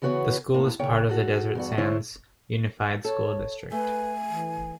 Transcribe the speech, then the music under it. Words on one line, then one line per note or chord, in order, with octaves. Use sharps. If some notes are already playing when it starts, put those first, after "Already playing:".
The school is a part of the Desert Sands Unified School District.
C#3 E3 B3 F#4 C5 C#5
A2 A#3
A#2 C#3 C#5 G5
F#4 G#4 A4
E2 G2 F#4
D2 E4 C5 C#5
A4 C#5
A3 B4 G#5
E3